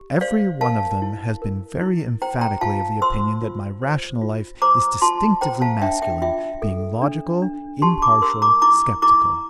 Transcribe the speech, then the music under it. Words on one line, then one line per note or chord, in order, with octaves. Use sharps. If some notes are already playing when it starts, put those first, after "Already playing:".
Every one of them has been very emphatically of the opinion that my rational life is distinctively masculine, being logical, impartial, skeptical.
Already playing: G4
C5 D5 F5
A#4 F5 A5
E4
A#4
E4
C5 G5 A#5
G5 A#5
F4 F5 A5
C5 C6 E6
F4
C5
F4
C5 A#5 D6
F4 A5 C6
C5 G5 A#5
F5 A5
D4 E5 G5
E5 G5
F4 E5 G5
A4
D4
D4
G4 A5 C6
A#5 D6
A#4 C6 E6
A#5 D6
E4 A#5 D6
E4 A#5 D6